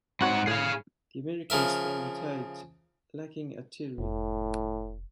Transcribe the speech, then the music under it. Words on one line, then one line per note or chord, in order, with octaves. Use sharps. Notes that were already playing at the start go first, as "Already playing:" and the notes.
The Americans then retired, lacking artillery.
G#2 C4 F#4 C#5 F#5
A2 G#4 F5
C#3 F3 A#4 E5
F1 A2